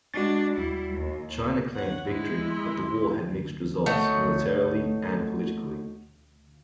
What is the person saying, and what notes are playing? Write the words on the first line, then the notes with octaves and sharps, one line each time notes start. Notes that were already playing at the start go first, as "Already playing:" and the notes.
China claimed victory, but the war had mixed results militarily and politically.
G#3 D4 F#4 A6
G3 E4
D#2
C#5 F#5
G#3 E4
C6
A3 D#4 F#4 C#5